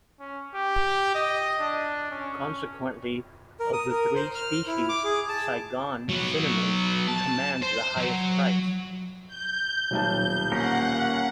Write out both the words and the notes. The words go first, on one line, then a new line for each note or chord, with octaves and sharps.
Consequently, of the three species, Saigon cinnamon commands the highest price.
C#4
G4
D#5
D4
C#4
A#4
D#6
A#4
C5
F6
E4
D6
G#4
A5
F#3 B3
A5
C5
F#3
G6
D#1 B1 A5
A#3 C#4 A#4 F#5